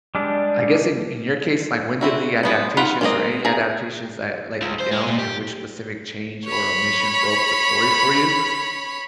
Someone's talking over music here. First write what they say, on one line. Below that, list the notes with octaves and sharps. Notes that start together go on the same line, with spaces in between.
I guess in in your case, like, when did the adaptations, or any adaptations that let you down, and which specific change or omission broke the story for you?
G3 G#3 D4
C4 E4 F#4
G#3 B3 F#5
D#4 F4 F#5 B5
D#3 G#3 A#3 C4 D#5
G#4 A#5
C#2
C5
G#3
A#2
G4
C#5 B5